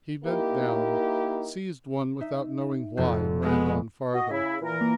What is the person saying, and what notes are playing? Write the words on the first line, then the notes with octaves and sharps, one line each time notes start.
He bent down, seized one without knowing why, and ran on farther.
A#3 D#4 E4 G4 A#4
D#4 E5
F1 F2 C5
G#3 B3
F#4 D#5
C#3 E4
A#2 E3 A#4
A#3